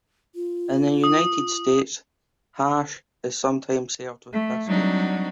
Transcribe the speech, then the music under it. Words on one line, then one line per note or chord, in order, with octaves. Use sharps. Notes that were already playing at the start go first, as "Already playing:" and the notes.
In the United States, hash is sometimes served with biscuits.
F4
D#6
A3
F#3 G3 C4 D4 D#4 F#4